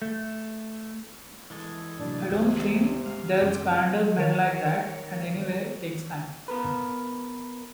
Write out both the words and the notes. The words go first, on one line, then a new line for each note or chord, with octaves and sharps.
I don't think they'll squander men like that, and anyway it takes time.
A3
E3 G#3 A4
A2 C3 F#3 D4
C#2 G#2 C3
G#3 F5
F#2 C#3 C4 C#4 G4
D#3 A#4 C#5
B3 A#4 B4